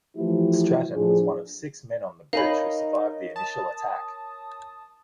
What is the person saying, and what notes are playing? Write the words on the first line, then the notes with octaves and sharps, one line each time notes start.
Stratton was one of six men on the bridge who survived the initial attack.
E3 F3 A3 E4 F#4 G4
A2 F3 D4 F4 G#4
D#4 A#4 C#5 D#5 F5 G#5 B5
A5 D#6